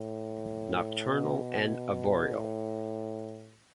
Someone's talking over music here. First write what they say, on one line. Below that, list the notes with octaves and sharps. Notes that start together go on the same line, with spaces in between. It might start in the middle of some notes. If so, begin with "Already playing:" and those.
Nocturnal and arboreal.
Already playing: A2
B2
A2